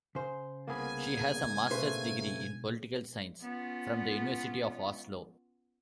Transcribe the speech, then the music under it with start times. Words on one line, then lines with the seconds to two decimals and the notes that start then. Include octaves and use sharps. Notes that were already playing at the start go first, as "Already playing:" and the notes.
She has a master's degree in political science from the University of Oslo.
0.15 C#3 C5
0.68 C2 A#3 B3 G#4 G#5 B5
1.71 B1 C#3 A3 A#3 B4 C5 C6
3.41 B3 C#4 F4